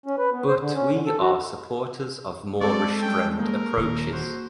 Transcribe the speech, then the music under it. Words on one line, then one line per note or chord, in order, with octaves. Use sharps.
But we are supporters of more restrained approaches.
C#4
B4
B3
C5
D3
C#4
D3
A4
F#4
G#3 C4 A4 D5 C#6
G3 C#4 G5
A#3 G#4 A#4
D#1 D#3
F#4 C5